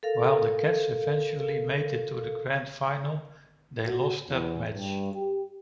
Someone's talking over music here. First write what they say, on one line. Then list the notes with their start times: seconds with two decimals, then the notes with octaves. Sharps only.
While the Cats eventually made it to the grand final, they lost that match.
0.03 A4 A#4 F5
3.85 F#4
4.28 E2
4.74 G2
5.13 G4